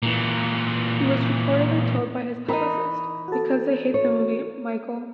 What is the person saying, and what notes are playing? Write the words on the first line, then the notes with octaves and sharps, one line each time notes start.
He was reportedly told by his publicist, Because they hate the movie, Michael.
A#2 E3
E3 D#4 A#4
F#4 A4
C#5